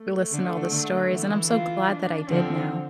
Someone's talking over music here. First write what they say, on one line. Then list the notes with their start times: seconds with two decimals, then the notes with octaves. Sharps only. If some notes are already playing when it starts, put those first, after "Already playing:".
listen to all the stories, and I'm so glad that I did now.
Already playing: A3
0.31 D3
0.70 D3
1.10 E3
1.49 F4
1.89 D4
2.28 D3 F3 C4